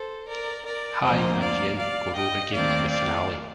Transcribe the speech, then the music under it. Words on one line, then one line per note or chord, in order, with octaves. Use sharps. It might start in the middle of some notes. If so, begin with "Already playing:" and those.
Hei and Yin go rogue again in the finale.
Already playing: A4 C5
A#4 D5
A#4 D5
D2 C3 F3 A#3 C5 D#5
D5 F5
D5 F5
D#5 G5
D#2 D#3 A3 C4 D5 F5
D5 F5